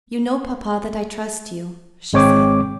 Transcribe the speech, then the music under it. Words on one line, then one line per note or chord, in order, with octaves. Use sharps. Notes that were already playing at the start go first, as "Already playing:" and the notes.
"You know, papa, that I trust you," she said.
G#1 G#3 C4 C#5 G5 D6